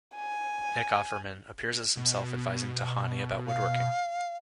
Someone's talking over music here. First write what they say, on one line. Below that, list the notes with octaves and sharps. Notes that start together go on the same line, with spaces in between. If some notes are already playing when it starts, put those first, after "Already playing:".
Nick Offerman appears as himself advising Tahani about woodworking.
G#5
B2
F5